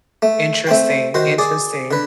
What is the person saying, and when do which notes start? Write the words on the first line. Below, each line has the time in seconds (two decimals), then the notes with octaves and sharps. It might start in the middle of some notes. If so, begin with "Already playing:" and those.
Interesting, interesting.
0.22 A3
0.67 A3 C4 G5
1.14 D#3 F#4 C5
1.38 G#4 D5
1.91 D3 B4